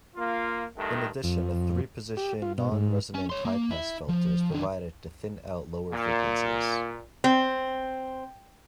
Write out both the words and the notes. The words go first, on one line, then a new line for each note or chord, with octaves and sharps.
In addition, a three-position non-resonant highpass filter is provided to thin out lower frequencies.
A#3 F4
G2 D#3 A3
F2
G4
F4
B2
G#2
C#4
C#5 C6
A#3
E4
F3
D#3 D4
A#2
C4